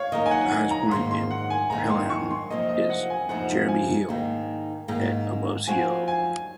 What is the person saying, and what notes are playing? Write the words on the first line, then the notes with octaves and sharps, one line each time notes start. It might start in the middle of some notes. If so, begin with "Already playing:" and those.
The highest point in Pelham is Jeremy Hill, at above sea level.
Already playing: C#5 F5
D#3 A#3 D#4 A#4 D#5
G#5
F#5
G#5
A#5
G#2 D#3 A#3 C6
C6
F#5
G#5
G#2 D#3 A#3 A#5
C6
C#6
C6
F2 C3 F3 A#3 D#4 D#5
D#5
F#5
G#5
F2 C3 F3 A#3 D#4 F#5
G#5
G#2 D#3 A#3
G#2 D#3 A#3
F3 C4 F#4 G#5
G#5